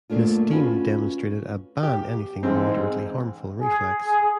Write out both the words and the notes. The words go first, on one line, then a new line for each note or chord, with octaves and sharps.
Ms Dean demonstrated a 'ban anything moderately harmful' reflex.
D2 G2 A3 A#3 D4 F4
C#4 F4 F#4 B4
G4
A1 G#2 C4
G#4
G#4